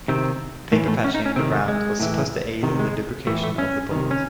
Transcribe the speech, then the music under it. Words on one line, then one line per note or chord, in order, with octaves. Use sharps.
Paper patching the round was supposed to aid in the lubrication of the bullet.
C3 D#3 C4
A2 E3 A3
A3
C#4
D#4
C#4
C3 D#3 C4
A3
G#3
A2 E3
C3 D#3
G#3
A2 E3 A3
A3
C#4
C3 D#3
C#4